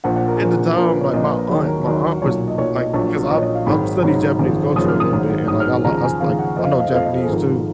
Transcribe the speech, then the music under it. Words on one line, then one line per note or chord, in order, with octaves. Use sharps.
at the time, like, my aunt my aunt was, like 'cause I I studied Japanese culture a little bit, and like I li I like I know Japanese too,
A#1 A#2 F3 F#5
F#5
A#4
G#4
A#1 A#2 F3 A#4
A#1 A#2 F3 A#4
B4
C#5
A#1 A#2 F3 D#5
B4
D#2 D#3 F#3 G#4
A#4
D#2 D#3 F#3 A#4
B1 A#2 F#3 C#5
D#5
B1 A#2 F#3 C#5
D#5
A#1 A#2 F#3 C#5
A#1 A#2 F#3 D#5
C#5
D#5
F5
G#1 G#2 D#3 F#3 B5
G#1 G#2 D#3 F#3
G#1 F#2 C#3 F3
G#1 F#2 C#3 F3 D#6
F6
D#6
G#1 G#2 F#3
G#1 G#2 F#3 D#6
F6
D#2 C#3 F3 A#5
A#5
G#5
D#2 C#3 F3 F5
F#5
F2 F3 D#5
F5
D#5
F5
D#5
F2 F3 F5
D#5
G#4
G#1 G#2 F3 A#4